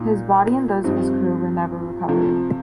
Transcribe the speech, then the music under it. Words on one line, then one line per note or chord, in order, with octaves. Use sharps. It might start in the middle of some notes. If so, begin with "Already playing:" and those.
His body and those of his crew were never recovered.
Already playing: A#2 D#4
G2 F3 C4 D#4
C3 F3 A3